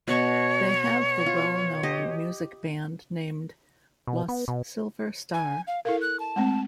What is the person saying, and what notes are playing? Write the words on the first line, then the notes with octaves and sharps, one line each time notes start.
They have the well known music band named "Los Silver Star".
B2 C#5 A5 C#6
F4
G4 D#5
B2
B3
B2
G#5
F5
E4 A4 A#4 F5
F#6
A5
G#3 A3 C4